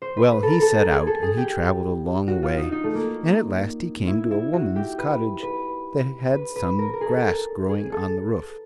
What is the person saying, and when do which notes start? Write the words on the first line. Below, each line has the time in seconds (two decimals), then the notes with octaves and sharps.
Well, he set out, and he traveled a long way, and at last he came to a woman's cottage that had some grass growing on the roof.
0.02 C5
0.17 B4
0.32 B4
0.43 A4 A#4
0.62 A4
0.77 G#4
0.92 G#4
1.07 A4
1.22 G#4
1.37 G4
2.28 F#4
2.43 F4
2.58 D#4
2.72 D#4
2.84 A3
2.94 A#3
4.07 E4
4.31 E4
4.53 F#4
4.76 G4
4.98 B4
5.43 B4
6.33 B4
6.56 B4
6.79 A#4
6.94 A#4
7.01 G#4
7.09 A4
7.69 G#4
7.92 A4